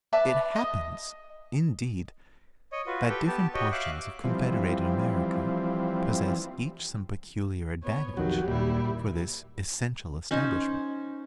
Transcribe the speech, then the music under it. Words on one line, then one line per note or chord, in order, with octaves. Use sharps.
It happens, indeed, that different portions of confederated America possess each some peculiar advantage for this essential establishment.
B4 D5 E5 A5
D#5 D#6
C#5 D#5
F4 F#4 B4
G4 A4 B4 G5
B3 G4 A5
F#4 G4 C#5 D#5 G5
E5 F5 D6 F#6
E3 F3 G3 C4
B3 C#5
B1 F2 D#3 F#3 F#4 G4
D#2 A#2 G3 E4
C#4 D#4 C5